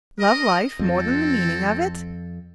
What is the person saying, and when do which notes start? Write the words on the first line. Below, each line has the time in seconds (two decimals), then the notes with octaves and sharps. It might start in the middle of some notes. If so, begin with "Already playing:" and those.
"Love life more than the meaning of it?"
0.19 A#4 D#5
0.79 F2 C4 A4